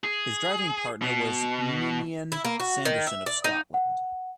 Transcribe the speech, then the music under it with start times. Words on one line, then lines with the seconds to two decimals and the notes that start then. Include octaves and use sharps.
His driving partner was Ninian Sanderson of Scotland.
0.04 G#4
1.02 B2
2.32 E4
2.45 A#3
2.60 F#4
2.85 D#3
3.07 E5
3.26 D5
3.44 D#4
3.74 F#5